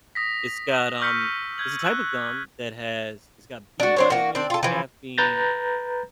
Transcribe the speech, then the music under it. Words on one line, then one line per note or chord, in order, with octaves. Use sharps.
It's got, um it's a type of gum that has it's got B vitamins, caffeine,
D#6 A#6 B6
C#6 E6 F6 G6 B6 C#7
F6 G6 G#6 F#7
E6 F#6
D4 F#4
D4 C5 C#5
A#3 F#4
C4 D4
F4 A4
E3 F3
B4 A#5 G6 A6 A#6